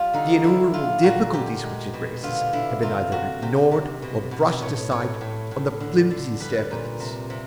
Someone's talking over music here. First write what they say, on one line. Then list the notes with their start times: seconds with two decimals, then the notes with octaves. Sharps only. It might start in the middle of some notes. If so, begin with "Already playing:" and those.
The innumerable difficulties which it raises have been either ignored, or brushed aside on the flimsiest evidence.
Already playing: G3 F4
0.13 D3 D#4
0.44 D3 E4
0.74 D3 F4
1.03 A#2 F#4
1.33 A#2 G4
1.63 G#3
1.94 B2
2.23 D3 F4
2.53 D3 E4
2.82 C3 F4
3.12 C3 F#4
3.42 C3 G4
3.72 C3
4.02 B2
4.31 B2
4.61 A2 C#5
4.91 A2 C#5
5.21 A2
5.51 A2
5.80 D3
6.11 D3
6.40 G3 B4
6.71 A#2
7.00 C3
7.30 C3